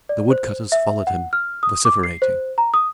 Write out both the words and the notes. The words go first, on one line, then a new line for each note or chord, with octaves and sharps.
The woodcutters followed him, vociferating.
D5
C5
E5
F#5
F6
D#6
D6
C7
C5
A#5
D#6